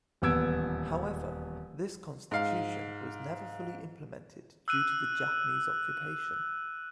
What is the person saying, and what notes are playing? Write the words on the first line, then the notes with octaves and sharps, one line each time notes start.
However, this constitution was never fully implemented due to the Japanese occupation.
D#1 E2 B3 E6 G#6 D7
G#2 F5
E6 F#6 D#7